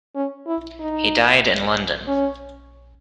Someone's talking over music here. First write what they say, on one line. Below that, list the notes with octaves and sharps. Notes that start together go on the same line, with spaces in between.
He died in London.
C#4
E4
D#4
C#4